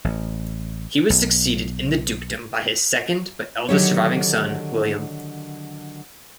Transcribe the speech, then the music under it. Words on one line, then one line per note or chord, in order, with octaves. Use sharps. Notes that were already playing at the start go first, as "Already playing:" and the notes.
He was succeeded in the dukedom by his second but eldest surviving son, William.
A1
B1
D3 D#3 F#3 G4 A4 C#5